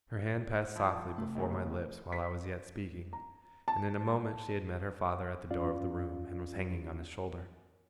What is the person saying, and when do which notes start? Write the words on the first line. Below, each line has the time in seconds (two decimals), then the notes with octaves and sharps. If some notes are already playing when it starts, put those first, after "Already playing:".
Her hand passed softly before my lips while I was yet speaking, and in a moment she had met her father at the door of the room, and was hanging on his shoulder.
0.76 F3 E4
1.16 C3 A3
1.35 D#2 C#3
2.12 B6
3.13 A#5
3.68 A5
5.51 F#2 C#4 F4 D5 F5